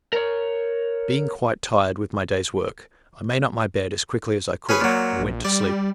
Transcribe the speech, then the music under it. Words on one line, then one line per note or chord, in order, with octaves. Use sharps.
Being quite tired with my days work, I made up my bed as quickly as I could, and went to sleep.
A#4 C#5
C#4 G#4 B4
A#2 F#3
A#1
G3 D5